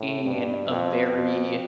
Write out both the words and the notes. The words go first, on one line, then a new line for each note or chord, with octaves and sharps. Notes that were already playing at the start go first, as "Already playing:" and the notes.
in a very
Already playing: A2
G2
F2
F2